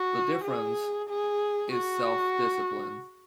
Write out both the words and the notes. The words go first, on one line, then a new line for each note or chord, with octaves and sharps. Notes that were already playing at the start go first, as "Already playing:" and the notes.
The difference...is self-discipline.
Already playing: F#4
G#4
G#4
F#4